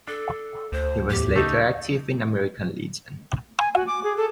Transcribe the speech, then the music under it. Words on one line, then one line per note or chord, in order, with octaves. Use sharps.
He was later active in the American Legion.
D4 A4
D2 C5
E2 A2 G4
C#3 A3 D#4
G#5
F#4
D6
G#4
A4